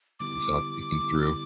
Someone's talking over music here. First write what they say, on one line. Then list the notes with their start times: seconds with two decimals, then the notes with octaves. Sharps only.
it's all thinking through,
0.20 D3 G3 B3 E4 G4 D6
1.01 D3 G3 B3 E4 G4